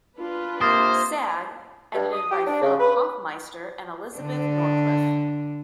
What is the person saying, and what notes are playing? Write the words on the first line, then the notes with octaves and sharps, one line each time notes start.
Sag, edited by Philip Hofmeister and Elisabeth Norcliffe.
D4 F4 B4
C3 A#3 C5 D#6 A6 A#6
G2
D#6
G4
D4
C#3
B4
D3 D4